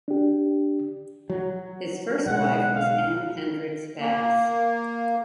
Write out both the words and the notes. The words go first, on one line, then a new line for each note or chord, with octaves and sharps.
His first wife was Anne Hendricks Bass.
D4 G4
F#3
B1 G#3 F#5
F5
A#3